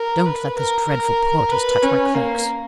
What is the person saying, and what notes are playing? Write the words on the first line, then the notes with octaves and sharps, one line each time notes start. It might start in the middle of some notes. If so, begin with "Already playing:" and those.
Don't let those dreadful porters touch my cloaks.
Already playing: A#4
B4
A#4
A#4
B4
C#4
A#3